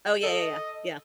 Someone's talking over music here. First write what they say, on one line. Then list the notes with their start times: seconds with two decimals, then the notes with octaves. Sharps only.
Oh, yeah, yeah, yeah. Yeah.
0.23 A4 D#5